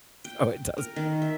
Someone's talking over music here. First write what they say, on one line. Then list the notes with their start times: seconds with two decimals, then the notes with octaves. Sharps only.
so it does.
0.25 G5
0.78 A#4
0.96 D#3
1.22 E5